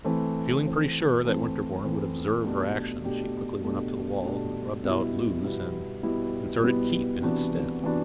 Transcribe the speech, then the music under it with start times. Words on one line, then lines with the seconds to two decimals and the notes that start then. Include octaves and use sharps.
Feeling pretty sure that Winterborne would observe her action, she quickly went up to the wall, rubbed out "lose" and inserted "keep" in its stead.
0.05 E3 A3 C4
0.65 E3 A3 C4
1.25 E3 A3 C4
1.84 E3 A3 C4
2.44 B2 A3 D4 G4
3.04 B2 A3 D4 G4
3.64 B2 A3 D4 G4
4.23 B2 A3 D4 G4
4.83 B2 G3 B3 E4
5.43 B2 G3 B3 E4
6.03 B2 G3 B3 E4
6.63 B2 G3 B3 E4
7.22 C3 E3 B3 D4 F#4
7.82 C3 E3 B3 D4 F#4